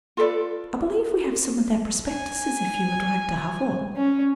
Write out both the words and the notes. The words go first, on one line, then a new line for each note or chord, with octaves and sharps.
I believe, we have some of their prospectuses, if you would like to have one.'
F4 A4 B4 D5
G#5
C#4